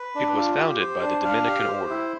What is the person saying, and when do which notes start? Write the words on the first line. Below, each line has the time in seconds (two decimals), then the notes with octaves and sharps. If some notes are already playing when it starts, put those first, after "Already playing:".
It was founded by the Dominican Order.
Already playing: B4
0.15 D4
0.36 F4
0.58 G4
0.81 C5
1.02 D4
1.24 F5
1.46 G4
1.68 C5
1.90 E4